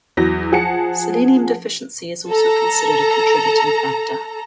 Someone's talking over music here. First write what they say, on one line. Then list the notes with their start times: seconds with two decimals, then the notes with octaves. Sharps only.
Selenium deficiency is also considered a contributing factor.
0.17 E2 F#3 A#6
0.52 F3 G#4 F#5 A5 C#7
2.28 A4 A#5